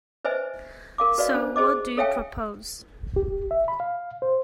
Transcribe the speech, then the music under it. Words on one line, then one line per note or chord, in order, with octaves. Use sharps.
So, what do you propose?
B4 C5 D#5 E5 G#5
A#4 F5 D6
F#4 B4 D5 D#5 F5
D4 C5
G4 G#4 C5 D#5 D6
A4 C#5 E5 F5 G5 G#5
G4
E5
B5
F5
C5